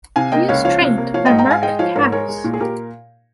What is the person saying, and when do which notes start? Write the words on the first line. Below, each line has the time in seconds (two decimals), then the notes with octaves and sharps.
He is trained by Mark Casse.
0.16 C3 F5 G#5
0.32 A#3 D#5 G5
0.49 C#2 C#5 F5
0.64 F3 C#5 F5
0.82 C3
0.98 A#3
1.14 F3 C#5 F5
1.26 D#5 G5
1.30 G#2
1.38 G5 A#5
1.46 G#2 F5 G#5
1.63 G#3 D#5 G5
1.79 F3 C#5 F5
1.95 G#2 A#4 C#5
2.12 G#3 A#4 C#5
2.28 G#3
2.44 A#2
2.54 G#4
2.60 A#2 G4 A#4